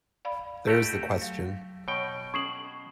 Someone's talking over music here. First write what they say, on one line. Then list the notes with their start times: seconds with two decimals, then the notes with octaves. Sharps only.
There is the question.
0.25 D5 F5 B5
0.67 F2 A3 F#4 G4
1.21 F#3 F5
1.88 B2 C#5 G5 C#6
2.34 C#4 C#6 D#6 G#6 C7 F#7